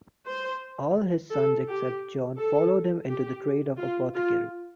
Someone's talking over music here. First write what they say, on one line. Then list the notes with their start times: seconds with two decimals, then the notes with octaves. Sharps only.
All of his sons except John followed him into the trade of apothecary.
0.26 C5
1.32 A4
1.67 G4
2.37 A4
3.08 G4
3.78 F4
4.15 F4